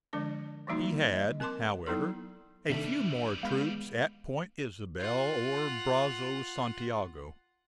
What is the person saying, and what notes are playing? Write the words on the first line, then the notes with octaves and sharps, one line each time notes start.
He had, however, a few more troops at Point Isabel or Brazos Santiago.
D3 F3 G#3 D4 D5
E3 F3 G3 A#3 D#4 F#4
D#5
C4 A#4 A5 C6 D6
F#3 B3 D#4 E4 A4
C3 D#3 E3 G3 A3 D4 E5 B6
G#3 B3 F5 B5 G6
F4 F#5